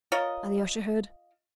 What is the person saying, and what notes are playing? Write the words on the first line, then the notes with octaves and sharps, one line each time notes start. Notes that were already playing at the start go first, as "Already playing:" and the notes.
Alyosha heard.
F4 A#4 C#5 D#5